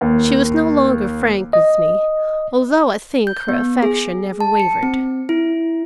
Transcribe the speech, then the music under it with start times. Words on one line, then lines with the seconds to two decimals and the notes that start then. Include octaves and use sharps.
She was no longer frank with me, although I think her affection never wavered.
0.01 D#2
1.53 D#5
3.27 G6
3.49 B3
3.83 G#4
4.40 A5
4.60 C#7
4.83 C4
5.29 E4